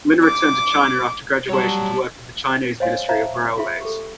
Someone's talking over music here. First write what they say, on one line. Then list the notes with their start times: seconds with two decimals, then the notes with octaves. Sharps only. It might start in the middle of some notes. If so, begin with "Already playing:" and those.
Lin returned to China after graduation to work with the Chinese Ministry of Railways.
0.23 D6
1.50 F#3 G3 C#5 A5
2.80 C5 C#5 D#5 F5 G#5 C6
3.09 C5 E5 F5 A5 A#5
3.58 F4 G#4 E5 C6
3.81 G4 A4